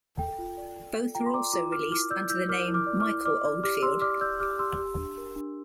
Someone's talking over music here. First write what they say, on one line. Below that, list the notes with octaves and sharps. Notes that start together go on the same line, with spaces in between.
Both were also released under the name Michael Oldfield.
A4 G5
F4
D5
F4
A4
F4 G5 A#5
C6
D5 A#5 D6
F4 A#5 D6
A#4 D6 F6
E4 D6 F6
D5 E6 G6
E4 E6 G6
A#4 D6 F6
E4
D6 F6
D5
D6 F6
E4
D5 D6 F6
D5
G4 D6 F6
G4 C6 E6
D5 D6 F6
D5 E6 G6
G4 D6 F6
G4 C6 E6
G4
D4
A#4
D4